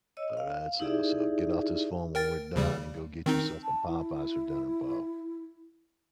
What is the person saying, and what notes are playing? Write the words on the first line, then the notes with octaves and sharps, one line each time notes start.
Alright, so so, get off this phone when we're done and go get yourself some Popeyes for dinner, Bo.
C#5 D#5 E6
F5
D#4 E4 G4 G#4 D5 E5
A#4 G5 A6
D#2 C#3 G3
D#3 C4 D#4
A5
E4